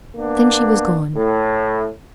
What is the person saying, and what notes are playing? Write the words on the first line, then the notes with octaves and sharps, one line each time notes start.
Then she was gone.
A#3 B3 D4
A2